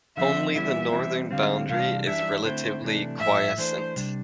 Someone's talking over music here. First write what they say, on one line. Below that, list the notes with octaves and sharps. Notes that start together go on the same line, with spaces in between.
Only the northern boundary is relatively quiescent.
D3 F3 C4 E5
E3 G3 B3 E4 E5
E3 G3 C4 E4
D3 G3 C4 F5
C3 E3 G3 D4 F5
E3 G3 D4 E5
D3 A3 C4 E4 C5
C3 E3 A3 D4
A2 F3 A3 E5
E3 A3 D4 C5
C3 G3 D4